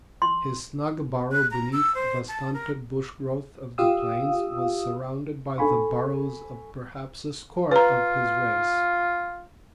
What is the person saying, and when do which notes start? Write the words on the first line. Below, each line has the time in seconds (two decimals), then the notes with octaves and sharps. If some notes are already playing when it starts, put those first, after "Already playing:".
His snug burrow beneath the stunted bush-growth of the plains was surrounded by the burrows of perhaps a score of his race.
0.22 C6
1.32 F#6
1.51 A#5
1.73 E6
1.95 C5
2.28 A5
2.54 A#4
3.78 F4 G4 F5 D#6 E6
5.58 A4 G#5 B5 C#6
7.71 F4 B4 A#5